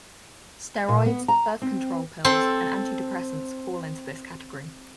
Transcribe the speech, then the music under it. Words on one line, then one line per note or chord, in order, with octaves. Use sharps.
Steroids, birth control pills, and antidepressants fall into this category.
A#2
B3
A#5
C4
C4 A4 C6